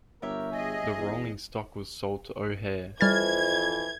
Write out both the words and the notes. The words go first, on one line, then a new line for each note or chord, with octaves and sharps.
The rolling stock was sold to O'Hare.
G1 G4 A#4 C#5 E5
G#4 D#5 G#5
E2
F2 E3 G3 F6 G#6 A6